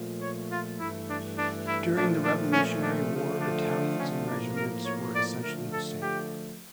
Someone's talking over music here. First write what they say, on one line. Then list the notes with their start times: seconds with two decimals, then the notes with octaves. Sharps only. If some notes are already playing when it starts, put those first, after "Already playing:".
During the Revolutionary War, battalions and regiments were essentially the same.
Already playing: A#2 F3 A3
0.22 C#5
0.51 F4
0.79 G2 E3 A3 E4
1.08 D4
1.38 D4
1.66 E4
1.95 A#2 F3 A3 D4
2.24 D4
2.53 C#4
2.82 D4
3.11 D3 F3 A3
3.40 D4
3.69 D4
3.98 C#4
4.27 A2 F3 A#3 D4
4.56 A#4
4.85 C#5
5.14 D5
5.43 D3 F3 A3 A#4
5.71 A4
6.01 G4